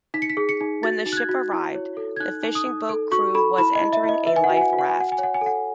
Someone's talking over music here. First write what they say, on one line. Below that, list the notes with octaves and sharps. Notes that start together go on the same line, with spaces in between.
When the ship arrived, the fishing boat crew was entering a life raft.
D#4 B6
C#7
B6
G#4
C#7
D#4
F#4 A6
D#4
F#6
G#6
F#4
E4
C#5
A4
G#6
D#4 F#6
D#4
D#6
D#4
A4
F#4 C#6
A4 B5
E4 B5
D#5
E4
E5
E4 D#5
B4 E5
G#5
F#5
F#4
G#5
F#5
F#4
F#5
G#5
F#4
F#5
G#5
C#5 F#5
G#5
A4 F#5